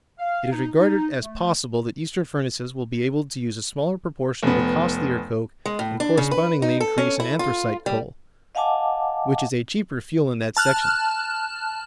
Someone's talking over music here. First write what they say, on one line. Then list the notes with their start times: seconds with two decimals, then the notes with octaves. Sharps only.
It is regarded as possible that Eastern furnaces will be able to use a smaller proportion of the costlier coke and correspondingly increase in anthracite coal, which is a cheaper fuel in that section.
0.18 F5
0.50 D#4
0.78 D#4
1.21 A3
4.43 F1 B3
5.66 G#3
5.79 A2
6.00 D4
6.17 C#3
6.31 B4
6.62 D#4
6.80 A4
6.98 C#4
7.20 E4
7.39 F4
7.86 G3
8.55 D#5 F5 F#5 G#5 A5 D6
10.57 A5 F6 F#6